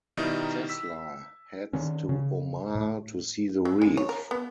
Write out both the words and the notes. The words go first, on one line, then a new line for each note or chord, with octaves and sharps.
Tesla heads to Omaha to see the Reef.
B2 D#3 G3 D#4 E4
E6 B6
D#3 C#4
C#3
A2
F#3
G#3
C#5
A#4
B3